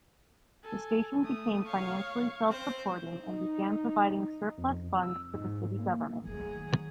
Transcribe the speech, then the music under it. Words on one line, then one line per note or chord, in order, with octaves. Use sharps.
The station became financially self-supporting and began providing surplus funds to the city government.
A4 G#5
A3 D#6
C#5 F5 C#6
C4 C5
D#4
F2
E6
G#2
A#3
D#3 F#3 A3 G#4